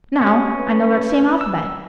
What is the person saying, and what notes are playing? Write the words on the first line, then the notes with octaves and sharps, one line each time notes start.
Now, I know that same alphabet.
C#4 F#4 G4 C#5
B4
E6